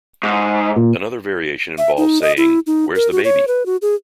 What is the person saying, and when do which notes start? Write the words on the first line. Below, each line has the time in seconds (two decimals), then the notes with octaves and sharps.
Another variation involves saying ""Where's the baby?
0.23 G#2
0.76 A#2
1.78 E5
1.97 D#4
2.22 D#5
2.37 E4
2.67 D#4
2.96 A#4
3.12 F#4
3.24 C#5
3.48 B4
3.66 F#4
3.82 G#4